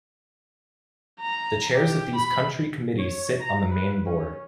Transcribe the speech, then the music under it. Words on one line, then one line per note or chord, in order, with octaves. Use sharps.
The chairs of these country committees sit on the main Board.
A#5
G4
B5
C#5
A#5
B4
C#4